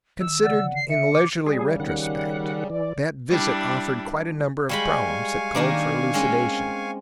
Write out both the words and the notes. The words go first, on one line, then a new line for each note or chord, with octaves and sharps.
Considered in leisurely retrospect, that visit offered quite a number of problems that called for elucidation.
D#3 E6
C#3 D5 F#5 A6
D3
C7
E5 C#7
D6
C#3 G3 G#4
D#3 F#5
E3 D5
G3 D4 E4
G3 G#3 F5 G#5 B5 C#6
D#3 A#3 D4
G#3 C4 C#4